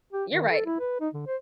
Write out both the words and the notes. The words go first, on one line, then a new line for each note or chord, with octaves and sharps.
you're right.
G4
D#3
A4
E4
B4
D#4
D3
C5